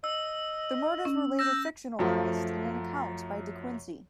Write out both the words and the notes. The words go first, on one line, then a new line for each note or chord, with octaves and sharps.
The murders were later fictionalised in an account by De Quincey.
D#5 E6
C#4
E6 G6 A#6
F#2 F3 A3